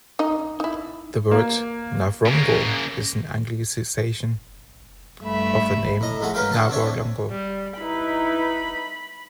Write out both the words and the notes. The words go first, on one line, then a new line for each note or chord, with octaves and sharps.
The word "Navrongo" is an Anglicization of the name "navorlngo".
D#4 D#5
D#4 E4
A#3
C#3 A#3
G2 A3 E5 B5
A2 D#5 A#5
F2 G#3 A3 F#5 B5
C#4 A#4 B4 F5 G5
D3 D4 A4 A5
C4 D4 C#5 E5
G3
D#4 E4 B4 B5